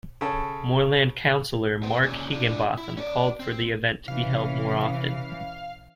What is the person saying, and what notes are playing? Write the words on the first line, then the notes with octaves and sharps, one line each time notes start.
Moreland councillor Mark Higginbotham called for the event to be held more often.
C#3 A4 C#5
B3 C5
A#2 C#3
D4 F4
E4
C#4 D5
C4
C3 E3 C#4 F5